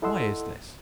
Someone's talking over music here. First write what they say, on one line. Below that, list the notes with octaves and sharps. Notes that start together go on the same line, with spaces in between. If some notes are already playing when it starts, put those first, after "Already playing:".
Why is this?
E4 A4 D#5 F#5 C6 E6